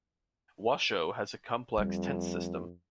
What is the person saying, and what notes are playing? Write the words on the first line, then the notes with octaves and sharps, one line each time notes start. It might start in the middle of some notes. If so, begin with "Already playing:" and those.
Washo has a complex tense system.
F2 G3